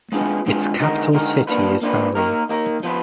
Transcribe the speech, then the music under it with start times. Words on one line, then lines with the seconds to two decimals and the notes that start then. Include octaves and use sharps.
Its capital city is Bari.
0.12 G#3 B3 D4 F4 G#4
0.46 G#3 B3 D4 F4 G#4
0.80 D3 G#3 D#4 F#4 A#4
1.13 D3 G#3 D#4 F#4 A#4
1.47 A#3 D4 F4 B4
1.81 A#3 D4 F4 B4
2.15 A#3 D#4 A#4
2.49 A#3 D#4 A#4
2.83 F3 B3 F4 B4